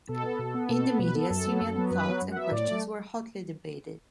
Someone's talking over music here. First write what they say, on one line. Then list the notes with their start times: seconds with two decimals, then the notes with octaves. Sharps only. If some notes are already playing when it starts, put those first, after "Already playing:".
In the media, similar thoughts and questions were hotly debated.
0.09 B2 A4
0.24 B3
0.39 B2
0.54 B3
0.69 B2 A4
0.84 B3
0.99 B2 B4
1.15 B3 A4
1.30 F#2 A4
1.46 F#3 B3
1.61 F#2
1.76 F#3 B3
1.91 F#2 B4
2.06 F#3 B3
2.22 F#2
2.31 F#5
2.36 F#3 B3 E5
2.51 A2 D5
2.67 A3